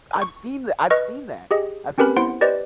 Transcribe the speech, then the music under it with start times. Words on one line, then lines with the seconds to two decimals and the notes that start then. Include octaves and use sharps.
I've seen tha I've seen that. I've seen that.
0.22 C#6
0.90 B4 D#5 C#6 F6
1.51 G4 G#4 D#5
1.98 C4 C#4 G4 A#4 B4 B5
2.16 B3 E4 C5 F#5 C6 D7
2.41 G4 B4 C5 D5 D#5